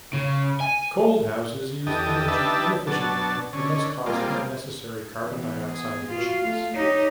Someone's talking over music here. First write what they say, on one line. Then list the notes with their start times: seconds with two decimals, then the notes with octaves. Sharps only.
Cold houses use energy inefficiently and thus cause unnecessary carbon dioxide emissions.
0.13 C#3
0.61 G#5
1.87 E2 G4 A4 D#5
2.28 D4 D#4 G4 B4 E5 A5
2.87 B2 F#3 D4 A5
3.53 D3 C#4
4.06 G3 G#3 A#3 C4 F4
5.24 E3 B3
5.67 G#4
6.10 F4 F#4 F5
6.44 A3
6.74 D#4 G4 C#5